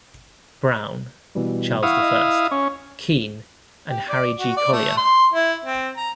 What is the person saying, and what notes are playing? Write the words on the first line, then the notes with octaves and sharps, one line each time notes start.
Brown, Charles the First. Keene, and Harry G. Collier.
B2 E3 G3
E4 F5 F#5 C#6 D#6
D#5
C#4
G4
D5
F#4
D5
A3
C6
E4
C4
A#5